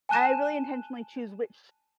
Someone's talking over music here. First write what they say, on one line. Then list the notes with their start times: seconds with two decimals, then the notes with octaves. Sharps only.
I really intentionally choose which
0.09 G#5 A5 F#6 D#7 E7